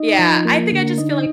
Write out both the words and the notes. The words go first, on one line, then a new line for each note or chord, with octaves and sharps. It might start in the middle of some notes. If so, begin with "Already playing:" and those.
Yeah, I think I just feel like
Already playing: D#4
F3
A#3
D3
D#4